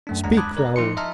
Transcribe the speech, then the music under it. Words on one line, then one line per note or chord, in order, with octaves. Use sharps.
"Speak, Raoul."
F#2 A3 D4
D#2 G#3 D4 F#5 A#5
A5 B5 D6 D#6 F#6 G#6
A#4 D5 A#5
F3 D#4 C6 C#7
D#5 E5 A5 A#5 C6 F6